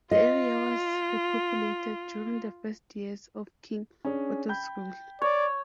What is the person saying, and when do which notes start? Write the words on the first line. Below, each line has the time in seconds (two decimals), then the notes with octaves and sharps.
The area was repopulated during the first years of King Otto's rule.
0.11 F4 D#5
4.05 C#4 D4 G#4
4.49 G5 B5 G6
5.22 C#5 D5